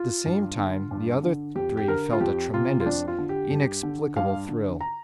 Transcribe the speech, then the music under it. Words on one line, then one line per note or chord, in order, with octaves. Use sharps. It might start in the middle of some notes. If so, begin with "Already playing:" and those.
At the same time, the other three felt a tremendous, inexplicable thrill.
Already playing: F4
G2
D3
G2
D3
F2 G4
G4
D3 A#4
F4
F2 G4
C3 F4
F4
F2 D4
F4
D3
G4
G2
D3
G2 F5
D3
A#5